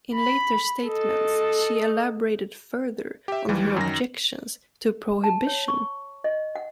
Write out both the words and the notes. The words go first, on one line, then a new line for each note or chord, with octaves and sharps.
In later statements, she elaborated further on her objections to prohibition.
B5
A4 D#5
G4 E5
D#2 E3 G3
F#2 D#3 A#6
A5
C#5
C#6
D#5
F#5